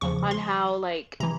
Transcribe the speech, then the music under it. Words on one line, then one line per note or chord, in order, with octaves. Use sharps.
on how like,
E2 C#3 F3 C#6
C6
C3 E3 A#5